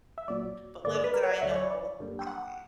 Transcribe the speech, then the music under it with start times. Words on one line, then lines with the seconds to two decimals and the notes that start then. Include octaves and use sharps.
But little did I know, um,
0.18 E5
0.28 B1 A#2 F#3 D5
0.84 G2 D3 A#3 D5
0.95 D5
1.04 B4
1.14 A#4
1.23 C#5
1.32 D5
1.41 D2 D3 F#3 E5
1.51 D5
1.56 C#5
1.71 D5
1.99 F#2 D3 G3 A#3
2.19 G5
2.27 F#5